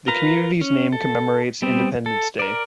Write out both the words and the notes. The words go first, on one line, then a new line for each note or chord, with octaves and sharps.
The community's name commemorates Independence Day.
F4 A#4 B4 A#5
C#4
A4
G3 B3 C4
A4
A#4 D5